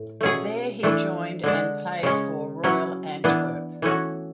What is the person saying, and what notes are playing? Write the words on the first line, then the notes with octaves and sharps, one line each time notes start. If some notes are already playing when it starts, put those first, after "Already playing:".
There he joined and played for Royal Antwerp.
Already playing: A2
B2 A3 C#4 G#4
E3 A3 D4
D3 G#3 D4
C#3 G#3 C#4
F#3 C#4 E4
E3 B3 D4
E3 A3 C#4 F#4